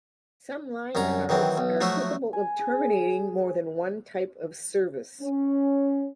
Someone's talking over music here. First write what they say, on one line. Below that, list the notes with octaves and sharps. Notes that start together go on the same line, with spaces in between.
Some line cards are capable of terminating more than one type of service.
C2 F#2 C#4 A#5
D#3 E3 F#3 C4
B1
F3 F#3 A3 F4 F#4 E5
G#5
G#4
C#4